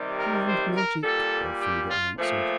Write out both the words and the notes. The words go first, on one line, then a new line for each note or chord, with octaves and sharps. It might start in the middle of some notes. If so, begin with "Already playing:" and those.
"Kind magic," Elfrida answered.
Already playing: C3 D#3 G3
A#4
C5
A#4
A#2 G3 A4
G4
F4
A#2 F3 A3